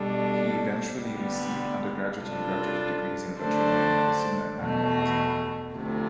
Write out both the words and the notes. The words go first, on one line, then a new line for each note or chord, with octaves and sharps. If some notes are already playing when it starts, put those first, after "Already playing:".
He eventually received undergraduate and graduate degrees in veterinary medicine and animal husbandry.
Already playing: B2 G3 D4 A4
D2 D3 G3 B3
C3 G3 D4 F4 A4
D3 A3 D4 A4 C5
E2 B2 A3
D2 C3 F3 A3